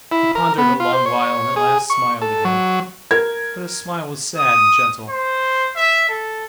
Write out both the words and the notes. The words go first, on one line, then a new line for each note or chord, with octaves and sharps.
He pondered a long while and at last smiled again, but his smile was sad and gentle.
E4
A#4
B3
F4
C5
C#5
G#4
C#6
A4
F#3
A#4 G#6
D#6
C5
E5
A4